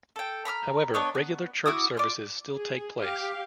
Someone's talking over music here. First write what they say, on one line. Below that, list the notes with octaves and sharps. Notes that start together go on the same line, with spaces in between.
However, regular church services still take place.
A4 G5
A#5 B5 D#6 F6
B3 D4 C#5 D#5
B3
E4 F#4 D6 D#6
F4 D5
G#4
G4 F5